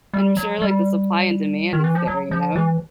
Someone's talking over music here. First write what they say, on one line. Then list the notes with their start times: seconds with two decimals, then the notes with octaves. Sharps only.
And I'm sure, like, the supply and demand is there, you know.
0.14 G3
0.37 F#3
0.62 G3
1.73 D#3
1.84 E3
1.95 F3
2.07 F#3
2.31 F3
2.56 E3